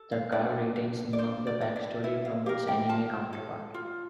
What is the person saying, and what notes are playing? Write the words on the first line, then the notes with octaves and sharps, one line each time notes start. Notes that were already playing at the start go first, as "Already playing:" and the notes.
The car retains none of the back story from its anime counterpart.
Already playing: A4
F5
D4 D5
A4
D5
D4 C5
D5
A4
D5
E4 E5
F5
G4 A#4 F5
G5
F4 A5
A4
F4